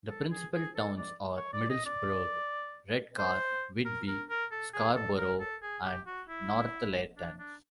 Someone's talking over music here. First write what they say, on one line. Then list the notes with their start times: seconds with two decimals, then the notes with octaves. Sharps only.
The principal towns are Middlesbrough, Redcar, Whitby, Scarborough and Northallerton.
0.09 A4
0.31 G#4
0.53 G#4
0.76 A4
0.98 D5
1.36 C#5
1.53 D5
1.70 D#5
1.86 D5
3.18 C5
3.85 A#4
4.07 A#4
4.30 A#4
4.52 A4
4.74 G#4
4.96 A4
5.17 A#4
5.40 A4
5.62 G#4
5.84 G4
6.06 F#4
6.29 E4
7.17 D4
7.39 D4